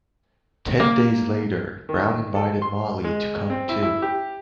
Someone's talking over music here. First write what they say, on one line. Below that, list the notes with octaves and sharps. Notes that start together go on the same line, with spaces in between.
Ten days later, Brown invited Motley to come, too.
A#3
D#3
A4
C6
G#3
C4
E4
E4
G4